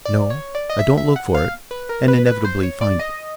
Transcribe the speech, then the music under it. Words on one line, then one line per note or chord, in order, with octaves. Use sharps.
No--I don't look for it--and inevitably find it.
D5
C#5
D5
D#5
E5
E5
F#5
F5
B4
A#4
B4
B4
C5
C#5
D5
D#5